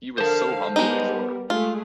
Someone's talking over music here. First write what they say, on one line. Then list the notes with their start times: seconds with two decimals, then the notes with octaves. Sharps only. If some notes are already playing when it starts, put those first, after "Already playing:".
He was so humble before her.
0.18 D3 A#4 C5 F5 A5
0.76 G3 G#3 B3 D#4 A#4
1.50 G#3 A3 F4 G#4